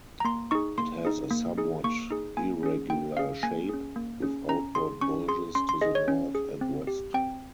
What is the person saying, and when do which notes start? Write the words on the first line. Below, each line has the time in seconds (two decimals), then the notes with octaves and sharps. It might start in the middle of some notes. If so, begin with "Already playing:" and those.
It has a somewhat irregular shape, with outward bulges to the north and west.
0.20 A#5
0.25 A#3 C6
0.51 D#4 G#4 C#6
0.78 A#3 C6
1.05 D#4 G#4
1.31 A#3
1.58 D#4 G#4
1.84 A#3 C#6
2.11 D#4 G#4
2.37 A#3 G#5
2.63 C#4 G#4
2.90 A#3 G5
3.17 C#4 G#4 F5
3.43 A#3 G#5
3.69 C#4 G#4
3.96 A#3
4.22 C#4 G#4
4.49 C#4 A#5
4.75 G#4 C6
5.01 C#4 C#6
5.28 G#4 C6
5.55 C#4 C6
5.69 C6
5.81 G#4 D#5
5.95 C#5
6.08 C#4
6.35 G#4
6.61 C4
6.87 G4
7.14 C4 G5